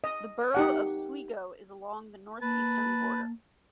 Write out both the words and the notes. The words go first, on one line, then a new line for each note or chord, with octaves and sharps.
The borough of Sligo is along the northeastern border.
D#5
D#4 G4 F#5
A#3 B4 A5